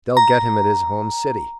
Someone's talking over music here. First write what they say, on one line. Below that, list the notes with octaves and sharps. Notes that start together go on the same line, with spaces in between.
"They'll get him at his home city."
A#5